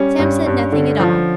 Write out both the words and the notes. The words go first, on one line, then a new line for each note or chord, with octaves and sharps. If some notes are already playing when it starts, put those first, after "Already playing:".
Sam said nothing at all.
Already playing: G3 C#4
G2
G2
D3
F3